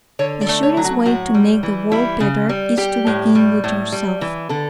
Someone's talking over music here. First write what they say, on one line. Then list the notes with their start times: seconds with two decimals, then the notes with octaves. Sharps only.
The surest way to make the world better is to begin with yourself.
0.19 D3 C#5
0.41 D5
0.48 A3
0.63 C#5
0.77 F#3
0.84 F#4
1.06 A2 F#4
1.34 G3
1.63 E3
1.91 G3 E4
2.20 C#3
2.49 G3
2.77 G3 G4
3.07 A2
3.35 G3
3.64 A2
3.92 G3
4.21 E3
4.49 D3 A4